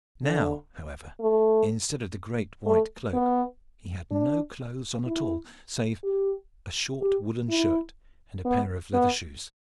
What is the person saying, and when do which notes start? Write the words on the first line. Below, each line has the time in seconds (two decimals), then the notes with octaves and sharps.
Now, however, instead of the great white cloak, he had no clothes on at all, save a short woollen shirt and a pair of leather shoes.
0.24 D3
1.21 A3
2.66 A3
3.13 B3
4.11 D4
5.07 E4
6.04 G4
7.01 G4
7.49 E4
8.45 B3
8.94 B3